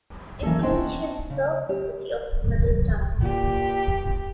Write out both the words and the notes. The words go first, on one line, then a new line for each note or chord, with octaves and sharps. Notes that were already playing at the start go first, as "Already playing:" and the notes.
It initially served the city of Middletown.
E3 A#3 C#4 A4
B3 C#4 D4 C5 D#5 G5
C#3
G4
A#2 G4